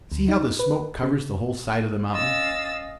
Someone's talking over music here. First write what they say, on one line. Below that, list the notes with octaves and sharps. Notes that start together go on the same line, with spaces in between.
See how the smoke covers the whole side of the mountain.
D2
D#4
B4
C#3
C#4 D#5 F5 E6 A6